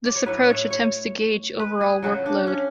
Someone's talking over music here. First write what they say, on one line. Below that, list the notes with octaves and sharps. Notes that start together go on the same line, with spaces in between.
This approach attempts to gauge overall workload.
D5
C#5
A2 F#3 B4
C#5
C#5
B4
G#4
C#3 F#3 F#4
D4
C#4